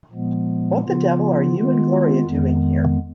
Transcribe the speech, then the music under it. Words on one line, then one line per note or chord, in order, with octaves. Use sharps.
What the devil are you and Gloria doing here?
A#2 F3 G#3 B3
C#3 F3 B3 F4
D#3 G#3 B3 F4
F2 D#3 G#3 B3